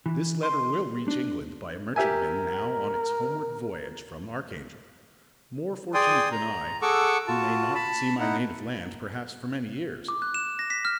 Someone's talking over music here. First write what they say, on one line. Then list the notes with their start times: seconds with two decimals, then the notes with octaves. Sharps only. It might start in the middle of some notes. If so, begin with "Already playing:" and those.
This letter will reach England by a merchantman now on its homeward voyage from Archangel; more fortunate than I, who may not see my native land, perhaps, for many years.
0.06 E3
0.43 C6
1.08 D4
1.96 G4 A#4 E5 G#5
5.94 G#4 D5 G5 G#5 C6 D#6
6.32 A#5
6.82 G#4 A4 F#5 C#6 D6 E6
7.27 F4 F#4 A5
7.75 A5 B5
8.19 D#4 E4 F#5
10.08 D6
10.22 F#6
10.34 E7
10.59 A#6
10.70 B6
10.85 F6